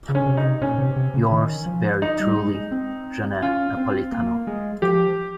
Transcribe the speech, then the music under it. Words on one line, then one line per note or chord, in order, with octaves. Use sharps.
Yours very truly, Janet Napolitano.
C#3
C#4
C3
C#3 D#4
C3
A#2 C#4
C3
C3
C#3
D#3
F3
D#4
G3
G#3
G#3
C4
C#4 F4
C4
A#3
G#3
F3 G4